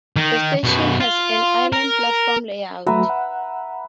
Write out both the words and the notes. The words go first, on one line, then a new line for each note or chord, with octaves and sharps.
The station has an island platform layout.
D#3
F#2 B2
F4
A#4
F#3 A3 F#4 B4 E5 A#5
F#5